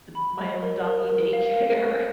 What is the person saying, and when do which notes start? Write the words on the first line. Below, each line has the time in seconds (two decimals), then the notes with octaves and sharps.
m my own doggy daycare.
0.15 B5
0.39 D#5
0.62 A#4
0.86 A#4
1.10 A#4
1.33 F5
1.57 A#4
1.80 C#6